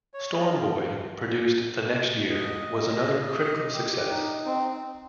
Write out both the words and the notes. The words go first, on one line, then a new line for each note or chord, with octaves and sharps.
"Storm Boy", produced the next year, was another critical success.
C#5
D#5
F5
D#5
G4
D#4
C4